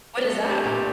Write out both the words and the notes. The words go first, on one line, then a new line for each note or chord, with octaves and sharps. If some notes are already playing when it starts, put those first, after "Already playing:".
What is that?
A3
D4 G4
A#2 G4